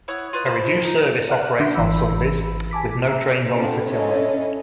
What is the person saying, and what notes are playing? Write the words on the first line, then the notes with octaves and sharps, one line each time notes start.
A reduced service operates on Sundays, with no trains on the City line.
E4 C#5 F#5 D#6
F4 B4 D#5
C5 A5 B5
A#3 D#4
D5 F#5 F6 F#6
D3 D4 E5 C6 D6 G6
G#1 E3 B5 E6
G#5 A5 D6 B6
E5 A#5 E6
B3 C4 D4 A4 B4 F5
C#4 D4 E4 A4 C#5 D#5